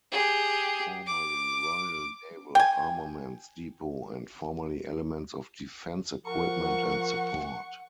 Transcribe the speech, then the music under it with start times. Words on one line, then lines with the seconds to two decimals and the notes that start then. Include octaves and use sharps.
Formerly Royal Naval Armaments Depot and formally elements of Defence Equipment and Support.
0.11 G4 G#4
1.07 D6
2.55 G5 G#5
6.26 F3 A#4 F#5 C#6